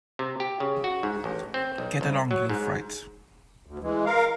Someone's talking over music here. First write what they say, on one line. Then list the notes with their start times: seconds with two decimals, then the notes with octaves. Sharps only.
Get along, you fright!
0.19 C3
0.40 G4
0.60 C#3
0.84 F#4
1.03 G#2
1.24 A1
1.54 C4
1.78 B1
2.01 C2
2.31 F#3
2.49 G#2
3.66 D2
3.83 E3 G#3
4.06 A#4 F5